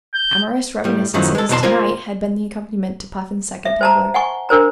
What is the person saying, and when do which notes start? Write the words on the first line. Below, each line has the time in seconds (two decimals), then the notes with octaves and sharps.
Amorous reminiscences to-night had been the accompaniment to Puffin's second tumbler.
0.14 G6
0.84 A2 G3
1.14 F#2 A2 D#3 F3 F#3 C#4
1.35 G#3 A4
1.49 B1 E2 B2 A#4 A5 C6
1.63 A#3 F4 A#4 C5 G#5
3.65 E5
3.81 C5 A5 A#5
4.14 F#5 G#5 C#6
4.49 D4 A#4 C5 A#5